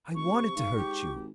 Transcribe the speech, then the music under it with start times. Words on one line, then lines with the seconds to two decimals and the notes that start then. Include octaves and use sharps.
I wanted to hurt you.
0.15 F1 C#6
0.33 C3
0.56 G#2 F5
0.76 G#2 G4
1.16 G#1